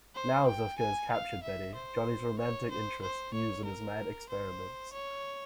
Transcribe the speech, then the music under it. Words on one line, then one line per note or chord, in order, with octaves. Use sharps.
Now Ziska has captured Betty, Johnny's romantic interest, to use in his mad experiments.
C5
G5
G#5
F5
E5
C5
C#5
C5
C5
C#5
A#4
C5
C#5